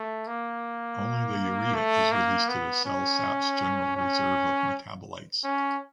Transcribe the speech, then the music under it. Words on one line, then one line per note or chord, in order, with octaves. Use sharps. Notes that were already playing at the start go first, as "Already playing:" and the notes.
Only the urea is released to the cell sap’s general reserve of metabolites.
Already playing: A3
A#3
A3
A#3
B3
C#4
C#4
C#4